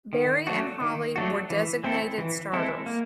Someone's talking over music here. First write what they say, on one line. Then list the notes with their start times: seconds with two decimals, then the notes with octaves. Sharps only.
Berry and Hali were designated starters.
0.13 D#3
0.47 F#3 A3 D4 F#4
0.81 D#3
1.16 F#3 A3 D4 F#4
1.50 E3
1.84 G#3 C4 E4 A4
2.18 E3
2.53 G#3 C4 E4 A4
2.86 A#3